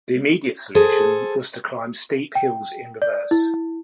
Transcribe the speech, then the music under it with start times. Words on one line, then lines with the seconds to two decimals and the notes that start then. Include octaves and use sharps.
The immediate solution was to climb steep hills in reverse.
0.75 G#4 A4 C5
2.35 G5
3.02 D5
3.31 E4